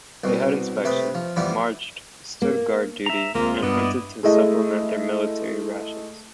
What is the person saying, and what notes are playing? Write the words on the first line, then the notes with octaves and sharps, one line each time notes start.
They had inspections, marched, stood guard duty and hunted to supplement their military rations.
C2 B2
C3 A3 B4 D#6
F3
E3 F3 G3 B3
A#3
E5 A#5
D2 G#3 A#3 C4 F4
G2 B3 E4 D5 D#5
G#3 A3 E4 D#5